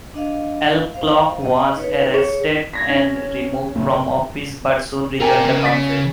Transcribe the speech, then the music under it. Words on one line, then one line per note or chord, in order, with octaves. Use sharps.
Alcock was arrested and removed from office but soon rejoined the Council.
D4 D#5 F5
C5 F5
D#5
D#4 B4 C#5
G#4 C#5
G#6 A#6 B6
C#4
F#1 A#2
F4 A#4 D5 G5 G#5
C#3
A6 B6